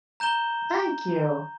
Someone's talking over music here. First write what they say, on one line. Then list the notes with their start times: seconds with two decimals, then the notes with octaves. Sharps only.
Thank you!
0.20 A#5 G6 E7 G7